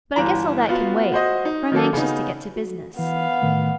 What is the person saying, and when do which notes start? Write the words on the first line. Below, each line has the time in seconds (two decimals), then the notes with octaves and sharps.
But I guess all that can wait, for I'm anxious to get to business.
0.16 G1 E3 A#5
0.69 B3 F4 F#4 F5
1.12 F#4 C5 D#5
1.45 D#4
1.72 D#3 F#3 A#3 A4
1.93 C#3 B3 D#4
2.56 F#4
2.99 E3 B3 F5
3.42 A2 D#3 A3